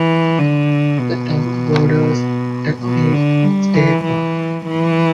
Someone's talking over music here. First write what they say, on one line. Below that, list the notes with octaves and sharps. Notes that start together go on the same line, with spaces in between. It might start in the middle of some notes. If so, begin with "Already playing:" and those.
The town borders Taconic State Park.
Already playing: E3
D3
B2
B2
D3
G3
E3
E3
E3